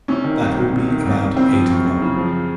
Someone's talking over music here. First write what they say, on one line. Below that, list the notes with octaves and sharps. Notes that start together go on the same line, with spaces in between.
That would be about eight o'clock.
C3 C#4
D#3
C2
C2
C3
D#3
C2
C2
C#3 C4
F3
F#2
F#2
C#3
F3